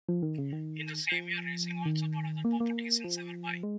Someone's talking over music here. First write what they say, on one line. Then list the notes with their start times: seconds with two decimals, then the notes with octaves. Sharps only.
In the same year Raysing also bought other properties in Sewerby.
0.09 F3
0.23 D#3
0.38 C#3
0.53 D#3
1.12 F3
1.86 D#3
2.45 A#3
2.60 A#3
3.04 F3
3.63 G#3